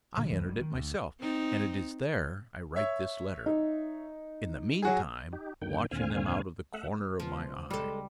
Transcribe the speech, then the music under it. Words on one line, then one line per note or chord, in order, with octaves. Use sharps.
I entered it myself, and it is there I write this letter, in the mean time watching them out of the corner of my eye.
A#2 D3 D4
E1 C#2 F#2 E3
F1 G3
D#3
D2
C4 D#4
C#5 E5
D#4
F#3 F#4 G#4
D#4 G4
F#2 D3 D#3 A#3 G5
D#2 A#2 D3 C4 F5 G#5
A3 E5 F#5
C#2 F3
G3 G#3 A4